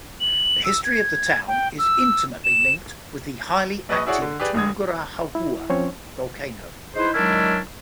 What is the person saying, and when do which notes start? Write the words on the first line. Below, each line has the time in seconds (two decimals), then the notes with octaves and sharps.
The history of the town is intimately linked with the highly active Tungurahua volcano.
0.21 F#7
0.65 E6
0.84 G#6
1.48 G5
1.79 E6
2.44 E7
3.89 A#1 B4 D#5 C#6
4.07 E4 F#4 G#4 C#5 D5 F#5
4.22 D3
4.40 G4 G#4 B4 D5
4.54 F1 D3 D#6 G#6
5.35 E4
5.70 F3 C4 C#4 C5 C#5
6.95 D#4 E4 G#4 B4 C5
7.14 D#3 F#3 G#3 C#4 D4 E4